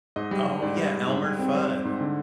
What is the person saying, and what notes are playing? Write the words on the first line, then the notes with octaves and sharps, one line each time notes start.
Oh yeah, Elmer Fudd.
G#2 D#5
G3
G3
G#2 D5
G3
G#2
G#2
G3
C4
G3 C5
G3
G#2
D3